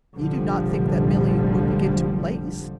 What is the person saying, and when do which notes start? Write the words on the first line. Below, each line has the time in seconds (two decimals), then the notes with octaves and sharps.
"You do not think that Milly will begin to lace?"
0.17 F1 A#1 D3 F3 G3